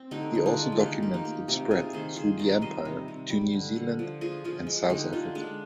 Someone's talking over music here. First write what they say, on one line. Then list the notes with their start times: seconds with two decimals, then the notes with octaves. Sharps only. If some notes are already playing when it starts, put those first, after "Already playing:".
He also documents its spread through the Empire, to New Zealand and South Africa.
Already playing: C4
0.11 D3 D#4 G4
0.35 D3
0.46 D4 F4
0.58 G#3
0.72 F4
0.80 D#3 D#4 G4
1.03 A#3
1.14 D#4 G4
1.25 A#3
1.48 C3 D#4 G4
1.71 C3 F4 G#4
1.93 D#3 G#4 C5
2.16 D#3 G#4 C5
2.39 D#3 A#4 D5
2.61 G3 C5 D#5
2.85 C3
3.08 C3
3.30 G3
3.53 D3
3.76 D3
3.99 F3
4.21 F3 F4 G#4
4.44 F3 F4 G#4
4.67 G#3
4.89 D3 D#4 G4
5.13 D3 D4 F4
5.35 G#3 D4